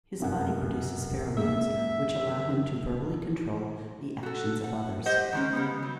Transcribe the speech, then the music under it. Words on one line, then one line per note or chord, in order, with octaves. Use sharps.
His body produces pheromones which allow him to verbally control the actions of others.
F1 F#2 F#5
G#3 A#3 G#4 E5
F#4 A4
F#5
G4 C5 D#5 F#5
D#3 G#3 C#4
C#3 G3 B3
F#3